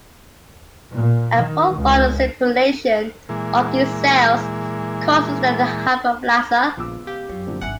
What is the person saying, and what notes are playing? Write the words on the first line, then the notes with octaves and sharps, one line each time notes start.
A prolonged stimulation of these cells causes their hyperplasia.
A#2
D#3
C#2
A#2 E3 G#3
A#1 C#3 F3 G#3 B3 D6 E6
G4 F5
F#2 F4 C#5
A#2 D3 F3 F#3 C4
G#1 D3 E5 F#5 G#5 C#7